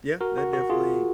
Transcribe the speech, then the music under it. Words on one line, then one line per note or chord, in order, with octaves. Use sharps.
Yeah. That definitely
F#4 A#4
F#4
F#4
F4 G#4